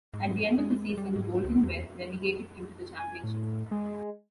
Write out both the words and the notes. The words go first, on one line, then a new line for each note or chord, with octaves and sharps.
At the end of the season, Bolton were relegated into the Championship.
G#2
G#3
G3
G#2
C#2
E2
G#5
A2
G#3